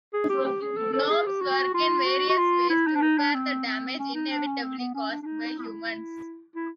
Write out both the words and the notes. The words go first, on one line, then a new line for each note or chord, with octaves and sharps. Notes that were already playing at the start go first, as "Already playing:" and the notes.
Gnomes work in various ways to repair the damage inevitably caused by humans.
G#4
G4
G4
G#4
A4
A4
G#4
G4
F#4
F4
F#4
F#4
F4
E4
D#4
D4
D#4
D4
C4
C4
C#4
D#4
D4
C#4
C4
B3
C#4
D4
D4
D#4
E4
E4